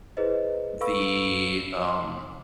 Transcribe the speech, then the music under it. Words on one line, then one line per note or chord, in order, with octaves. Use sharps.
The um
E4 G#4 B4 C5 D#5
A4 B4 F5 B5 C#6 E6
C6